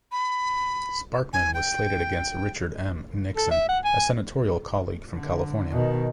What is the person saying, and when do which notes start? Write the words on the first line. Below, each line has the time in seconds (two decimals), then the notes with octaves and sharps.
Sparkman was slated against Richard M. Nixon, a senatorial colleague from California.
0.12 B5
1.33 G#5
1.54 G5
3.36 A4
3.51 E5
3.69 F#5
3.84 G#5
5.14 D3
5.71 B2 D#3